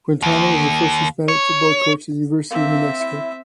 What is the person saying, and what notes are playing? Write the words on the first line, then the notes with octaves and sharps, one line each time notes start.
Quintana was the first Hispanic football coach at the University of New Mexico.
D#2
C#5
A#3 C4 E5
E4